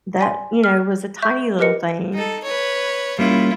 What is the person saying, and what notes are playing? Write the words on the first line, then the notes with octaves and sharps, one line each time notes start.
that, you know, was a tiny little thing,
D5 G#5 C6
F6
E5 C#6 G6
G4 A#4 B4 D#5 C#7
D#4 A4
B4 C#5
G3 A#3 C#4 E4 F4